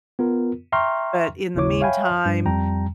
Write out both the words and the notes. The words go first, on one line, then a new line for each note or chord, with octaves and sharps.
but in the meantime,
B3 F4 A#4
E5 G5 A#5 C6 C#6 F6
G1 D#2 C#3 E4 C#5 D6
C#5 E5 F5 G5 G#5 B5
G2
F2 G3 G5 A5 A#5